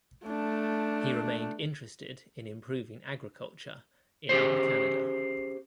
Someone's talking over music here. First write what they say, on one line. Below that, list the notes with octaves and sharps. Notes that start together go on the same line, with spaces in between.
He remained interested in improving agriculture in Upper Canada.
A3 D4
C#4 G4 G#4 C5